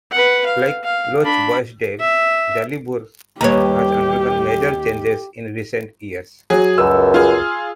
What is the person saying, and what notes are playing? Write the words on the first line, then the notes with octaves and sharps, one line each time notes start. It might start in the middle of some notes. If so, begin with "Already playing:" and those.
Like Lochboisdale, Daliburgh has undergone major changes in recent years.
B4 F#5
F5
F5
D4 B5
E5
D#2 G3 G4 B4 C#5 A#5
F#3 G#4
C#2 F#2 E6
F4 G#4